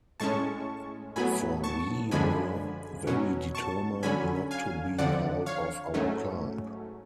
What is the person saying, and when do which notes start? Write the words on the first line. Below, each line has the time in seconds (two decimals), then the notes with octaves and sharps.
For we were very determined not to be hauled off our climb.
0.20 A2 G#3 C#4 A5 C#6
1.16 A2 F#3 B3 G#5 B5
1.64 A5 C#6
2.11 F#2 D3 F3 G#3 D4 G#5 B5
3.07 B2 F#3 C#4
3.55 A5 C#6
4.03 D3 F#3 C#4 G#5 B5
4.51 F5 G#5
4.98 F2 D3 F3 D5 F#5
5.46 C#5 F5
5.94 G#2 F#3 A3 C#4